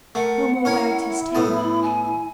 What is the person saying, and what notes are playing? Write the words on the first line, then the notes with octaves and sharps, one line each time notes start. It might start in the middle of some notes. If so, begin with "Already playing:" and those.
Homo wagged his tail.
A3 A#4 F#5
C#4 E4 A#4 G#5
A2 B3 A4 A5
B5
G#5